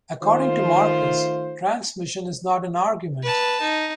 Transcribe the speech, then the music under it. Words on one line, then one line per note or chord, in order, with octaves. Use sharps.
According to Marcus, 'Transmission' is not an argument.
D#3 A3 F4 C5
B4 A5
D#4